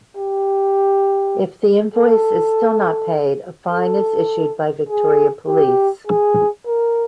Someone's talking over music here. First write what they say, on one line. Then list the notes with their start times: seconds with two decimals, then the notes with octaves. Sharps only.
If the invoice is still not paid, a fine is issued by Victoria Police.
0.17 G4
1.94 A4
3.71 A4
4.89 G#4
5.48 G4
6.07 G#4
6.66 A#4